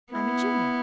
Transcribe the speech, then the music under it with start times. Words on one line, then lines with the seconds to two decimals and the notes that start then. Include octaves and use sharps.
I'm a Junior.
0.13 B3 E4